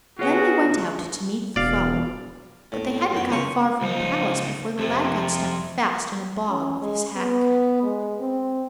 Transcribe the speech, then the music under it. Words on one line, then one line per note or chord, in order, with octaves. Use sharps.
Then they went out to meet the foe; but they hadn't got far from the palace before the lad got stuck fast in a bog with his hack.
B3 F4 F#4 G#4 C#5
E1 B2 D5 F5
A2
F#2 B3 G5
C#2 C#3 C5 C#6
C#2 F3 D#4
F2 C3 F3
C#4
G#3
B3
G#3
C4